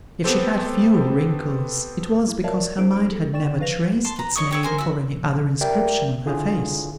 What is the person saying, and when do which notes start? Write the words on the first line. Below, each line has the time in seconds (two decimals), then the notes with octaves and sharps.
If she had few wrinkles, it was because her mind had never traced its name or any other inscription on her face.
0.24 B3 C4 G4 A4 C5
2.28 E4
2.44 A#4 C#5 D5 E5 F5 A5
2.78 C#4 D#4 G#4 C5 D7
3.08 G4 A4
3.33 D5 G5 C#6 A6 E7
3.60 F3 B4 F5 A#6 F7
4.05 A5 C6
4.16 B4 A#5
4.35 C#5 D#5 C#6 D#6
4.51 G4 C#5 E5
4.63 A#4 C5 G#5
4.78 F#4 E5
5.13 A#1
5.61 G4 A#4 D5 E5 G5
6.26 D3 E4 F4 G#4